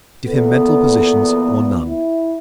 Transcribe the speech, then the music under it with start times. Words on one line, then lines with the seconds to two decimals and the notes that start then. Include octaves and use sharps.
Give him mental positions or none.
0.25 E2 A#2 B3 A4
1.86 E4